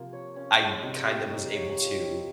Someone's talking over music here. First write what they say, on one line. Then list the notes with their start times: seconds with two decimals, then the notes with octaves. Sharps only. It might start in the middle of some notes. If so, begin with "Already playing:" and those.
I kinda was able to
Already playing: C3 F3 A#3 F4
0.13 C#5
0.36 C#4
0.60 G#3
0.83 C3 D#4
1.07 G4
1.31 D#4
1.55 C#5
1.78 F4
2.02 C4